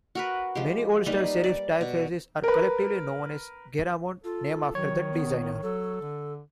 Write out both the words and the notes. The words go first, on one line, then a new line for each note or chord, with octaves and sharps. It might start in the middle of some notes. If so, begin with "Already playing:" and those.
Many old-style serif typefaces are collectively known as Garamond, named after the designer.
F#4 A#4 B4
F3 G#3 G4
G3 A#3 D#4 B4
D5
B2
A#4 B4
F4 A4
D#3 F#3 C#5
B3
F#3 A4
D3